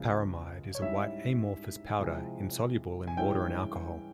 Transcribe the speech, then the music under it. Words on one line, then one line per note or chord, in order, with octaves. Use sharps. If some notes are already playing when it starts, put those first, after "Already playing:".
Paramide is a white amorphous powder, insoluble in water and alcohol.
Already playing: C#2 C#3 F3
C#5
G#2 G3 C#4 E4 E5
C3 F3 G#3 E4
G#5
G2 E3 G#3 C#4 E4 G5